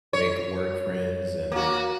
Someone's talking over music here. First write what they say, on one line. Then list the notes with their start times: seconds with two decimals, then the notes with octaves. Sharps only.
make work friends, and
0.13 C#5
1.52 A#3 F#4